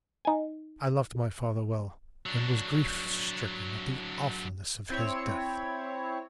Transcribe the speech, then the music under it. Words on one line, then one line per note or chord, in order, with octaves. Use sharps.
I loved my father well, and was grief-stricken at the awfulness of his death.
D#4 G#5
F#3 D4
C4 E4 C#5